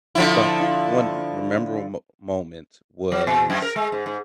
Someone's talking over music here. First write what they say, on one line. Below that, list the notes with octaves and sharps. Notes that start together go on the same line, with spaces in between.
so I think one memorable mo moment was
D3 F3 E4
F#3
A#2
F#2
A#4
G#3
G#2
G#2